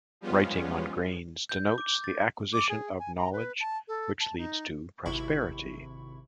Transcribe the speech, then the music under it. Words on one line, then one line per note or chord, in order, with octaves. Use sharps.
Writing on grains denotes the acquisition of knowledge, which leads to prosperity.
F3 G3 G#3 B3 C#4 F4
G6
D6
A6
D6
G#4
G#5
A#5
B4
A5
A4
A5
D#4
G#1 C3 E4 B5 C#6